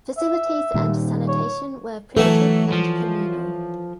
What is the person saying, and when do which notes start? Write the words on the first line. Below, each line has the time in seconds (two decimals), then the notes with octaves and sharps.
Facilities and sanitation were primitive, and communal.
0.18 E5
0.74 A#2 D#3 G3
1.28 C#5
2.17 E3 F#3 A3 F#4 A4
2.72 F3